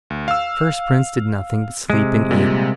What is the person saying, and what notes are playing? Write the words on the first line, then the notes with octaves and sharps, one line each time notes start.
At first Prince did nothing but sleep and eat.
D2
F5 E6
C3 G#3
A#2 G3